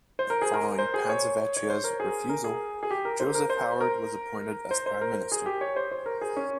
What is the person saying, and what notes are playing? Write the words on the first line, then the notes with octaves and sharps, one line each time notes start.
Following Panzavecchia's refusal Joseph Howard was appointed as Prime Minister.
C5
A#4
G#4
A#4
C5
G#4
C#5
C#5
C5
A#4
G#4
A#4
G#4
G#4
G4
A#4
C5
A#4
C5
A#4
C5
C5
A#4
G#4
G4
C#5
C5
C5
A#4
G#4
C#4